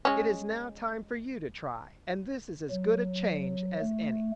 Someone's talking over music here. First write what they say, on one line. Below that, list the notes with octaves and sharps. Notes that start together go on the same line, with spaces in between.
"It is now time for you to try, and this is as good a change as any."
G#3 C#4
F#3
A3